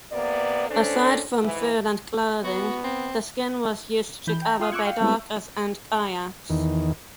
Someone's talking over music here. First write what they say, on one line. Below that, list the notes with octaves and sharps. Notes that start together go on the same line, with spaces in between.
Aside from food and clothing, their skin was used to cover baidarkas and kayaks.
C3 A#3 B3 D5
A2 C#4 D4 A4 C5
G#2 E3
B3 F#4
C4
E3 B5 G6
G5 A#5
F4 G5 C6 D#6 F6
C#6 D6 E6 F#6 G#6 C#7
F5 G5 C#7
G3 G#3 B3 C4 E4 B4
E2 D#3